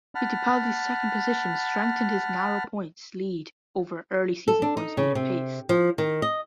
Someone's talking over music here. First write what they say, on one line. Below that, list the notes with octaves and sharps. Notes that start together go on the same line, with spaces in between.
Fittipaldi's second position strengthened his narrow points lead over early season points leader Pace.
F#5 A5 B5 F6
A4
D4
D#4
C#3
C3
F3
D#3
D#5